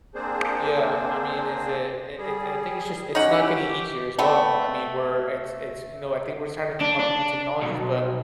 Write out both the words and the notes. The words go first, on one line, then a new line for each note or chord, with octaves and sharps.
Yeah, I mean, is it it it and I think it's just it's not getting easier as well. I mean, we're it's it's, you know, I think we're just tryna come up with new technologies. But,
A#3 C4 D4 G#4 C5
G3 G#4
C#4 D#4 G4 F#5
A3 B3 C4
D4
D4
B1